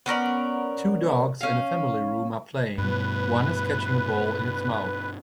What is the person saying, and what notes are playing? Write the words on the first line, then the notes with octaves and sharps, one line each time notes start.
Two dogs in a family room are playing, one is catching a ball in its mouth.
B3 C#4 A#4 D5
C#4 F5
G2 B2 B4